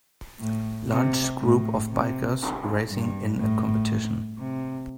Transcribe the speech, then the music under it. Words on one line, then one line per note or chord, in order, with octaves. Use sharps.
Large group of bikers racing in a competition.
A2
C3
A2
C3
G2
A2
C3